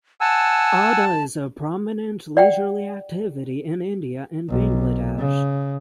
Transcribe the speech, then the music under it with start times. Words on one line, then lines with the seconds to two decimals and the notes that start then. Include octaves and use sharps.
Adda is a prominent leisurely activity in India and Bangladesh.
0.21 F#5 G#5 A5 E6
2.37 D5 F#5 G5
4.49 B1
5.18 C#3